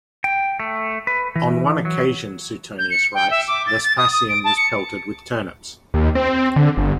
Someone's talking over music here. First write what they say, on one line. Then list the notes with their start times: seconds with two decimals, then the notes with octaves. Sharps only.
On one occasion, Suetonius writes, Vespasian was pelted with turnips.
0.24 G5
0.60 A3
1.07 B4
1.36 E3
1.85 F#3
2.79 G6
2.91 C#7
3.15 G5
3.31 E5
3.48 D6
3.66 A6
3.84 A6
3.98 D#6
4.13 D#6
4.29 D7
4.44 A5
4.57 C#7
5.94 D#2
6.15 C4
6.56 D3
6.77 G1